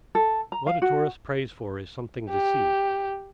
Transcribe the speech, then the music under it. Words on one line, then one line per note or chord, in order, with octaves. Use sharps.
What a tourist prays for is something to see.
A4
A#5
F5
F#4
G4